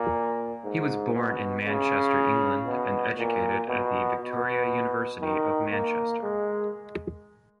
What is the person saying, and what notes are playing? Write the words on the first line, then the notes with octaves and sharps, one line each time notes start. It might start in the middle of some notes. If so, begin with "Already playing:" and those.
He was born in Manchester, England, and educated at the Victoria University of Manchester.
Already playing: A#2
G#2
B2
C#3
B2
A#2
B2
B2
D#3
A#3
G#3